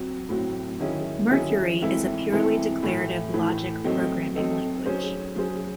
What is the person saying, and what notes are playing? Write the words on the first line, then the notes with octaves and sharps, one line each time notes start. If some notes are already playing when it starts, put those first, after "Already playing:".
Mercury is a purely declarative logic programming language.
Already playing: F#3 C4 F#4
A2 F#3 C4 F#4
D#3 F#3 C#4 E4 G#4
D#3 F#3 C#4 E4 G#4
G#2 E3 C4 E4 A4
G#2 E3 C4 E4 A4
A2 E3 A3
A2 E3 A3
F#3 A3 C4 D#4 A4
F#3 A3 C4 D#4 A4
F#3 C#4 G#4 C5
F#3 C#4 G#4 C5